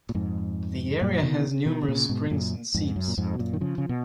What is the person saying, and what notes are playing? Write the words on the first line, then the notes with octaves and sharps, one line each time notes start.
The area has numerous springs and seeps.
A#2
F2 G#2
F#2 A#2
B2 D#3
B2 D#3
D#3
A#2 C#3
G#2 B2
F#2 A#2
F2 G#2
F#2
A#2
F2 G#2
B2
F#2 A#2
D#3
C#3 F3
C#3
B2